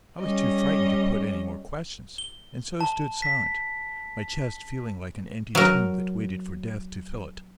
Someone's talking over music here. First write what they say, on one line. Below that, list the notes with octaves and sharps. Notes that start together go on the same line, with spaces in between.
I was too frightened to put any more questions, and so stood silent--my chest feeling like an empty tomb that waited for death to fill it.
G3 C#4 D#5
G7
A5
B6
F#3 A#4